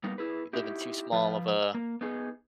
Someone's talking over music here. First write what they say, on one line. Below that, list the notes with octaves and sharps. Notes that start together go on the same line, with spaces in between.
you live in too small of a
G3 A#3 B3 D#4
E4 G#4 B4
D#4 E4 G4
F3 F4 B4
A#3
B3 D#4 G#4